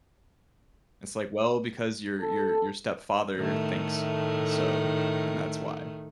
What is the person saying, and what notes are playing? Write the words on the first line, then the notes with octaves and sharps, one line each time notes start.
it's, like, "Well, because your your your stepfather thinks so, and that's why."
A4
A2 D#3 A3